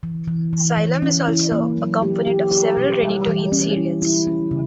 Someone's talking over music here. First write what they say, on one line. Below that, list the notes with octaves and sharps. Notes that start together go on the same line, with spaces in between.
Psyllium is also a component of several ready-to-eat cereals.
E3
E3
E3
E3
C#4
E4
A#3
F#3
G4
G4
G4
B2
G3
E3
C#4
E4
E4
C#4
C#3